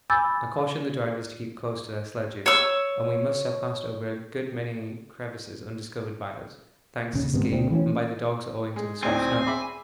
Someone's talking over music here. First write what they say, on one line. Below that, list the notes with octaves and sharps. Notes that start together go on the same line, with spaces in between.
I cautioned the drivers to keep close to their sledges and we must have passed over a good many crevasses undiscovered by us, thanks to ski, and by the dogs owing to the soft snow.
G#5 B5 D6 E6 G6 A6
C#5 E6
D#2 C#3
G#2 C3 D#3 B3
D2 B2 C4
E3 A3 A#3 C#4
G#3
D2 A2 C4 D#4 G#5
E5 B5 D6